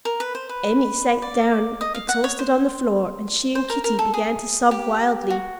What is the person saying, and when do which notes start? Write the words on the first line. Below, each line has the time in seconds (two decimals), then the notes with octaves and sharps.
Emmy sank down exhausted on the floor, and she and Kitty began to sob wildly.
0.05 A#4
0.20 B4
0.35 C5
0.49 B4
1.22 D5
1.81 D#5
1.95 F5
2.09 F#5
2.24 C#5
2.39 C5
3.55 C5
3.70 A#4
3.84 A#4
3.99 A4
4.14 G#4
4.71 G4
5.30 F#4